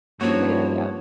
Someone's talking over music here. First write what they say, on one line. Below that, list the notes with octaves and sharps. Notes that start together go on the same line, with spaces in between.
a good idea.
G2 F3 F#3 A#3 C#4 D#4 F#4 C#5